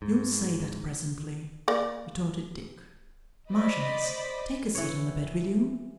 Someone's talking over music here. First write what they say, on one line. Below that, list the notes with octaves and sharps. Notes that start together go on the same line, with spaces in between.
'You'll say that presently,' retorted Dick. 'Marchioness, take a seat on the bed, will you?
G#2
A#3 D5
C5 D5 D#5 B5
E3 C#5